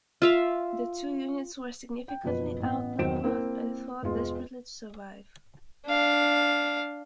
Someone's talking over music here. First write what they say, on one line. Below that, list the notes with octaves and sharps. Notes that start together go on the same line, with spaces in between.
The two units were significantly outnumbered and fought desperately to survive.
F4 E5 F5
G5
F#1 B2 F3 B4
A1 B3
E1 D#3 F#3 C5 D7 E7
A#3 C4 E4 A#4
E1 G#3 F4 G#4
D4 F5